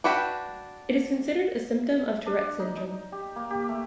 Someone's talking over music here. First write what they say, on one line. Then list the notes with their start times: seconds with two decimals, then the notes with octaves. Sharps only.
It is considered a symptom of Tourette syndrome.
0.04 D4 F#4 B4 E5 G5
2.26 D4
2.60 D#4
2.77 D#4
3.12 G4
3.36 A#3
3.50 G4
3.69 A3